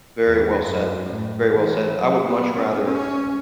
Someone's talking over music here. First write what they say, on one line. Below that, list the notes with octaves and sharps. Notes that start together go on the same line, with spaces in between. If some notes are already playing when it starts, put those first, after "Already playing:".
Very well said, very well said. I would much rather
E2
F#2
A2
E3
F#3
B3
C#4
C#4